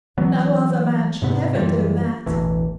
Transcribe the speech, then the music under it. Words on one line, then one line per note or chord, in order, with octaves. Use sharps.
"No other man shall ever do that."
E3 F#3 B3
G#2 C3 B3
F#2 E3 F3 G3
E1 A1 E3